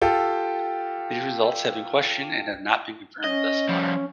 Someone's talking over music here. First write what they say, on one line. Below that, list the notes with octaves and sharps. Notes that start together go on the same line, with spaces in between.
These results have been questioned and have not been confirmed thus far.
F4 G4 A4 G5
C#4 D#5
F3 G3